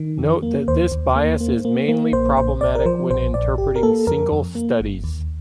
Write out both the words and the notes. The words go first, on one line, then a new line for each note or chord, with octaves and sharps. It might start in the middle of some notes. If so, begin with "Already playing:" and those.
Note that this bias is mainly problematic when interpreting single studies.
Already playing: D#3
F2
A#3
D#2 C5
D#2
A#3
A#3
A#3
A#3
A#1 C5
A#1 C5
A#1 D5
A#4
F3 C5
A#1 C5
A#1 D5
G1 G4
A#4
A#3 A4
F2 A#4
F2
A#3
G1
D#2